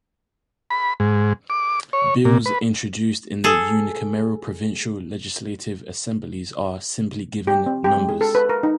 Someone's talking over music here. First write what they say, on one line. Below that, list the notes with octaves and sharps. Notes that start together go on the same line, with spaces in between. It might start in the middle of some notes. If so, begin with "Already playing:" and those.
Bills introduced in the unicameral provincial legislative assemblies are simply given numbers.
B5
G#2
D6
C#5
A#2
B4
G#4 A4
G4
C4
G4
G#3
G#4
A4
B4
A#4
D#4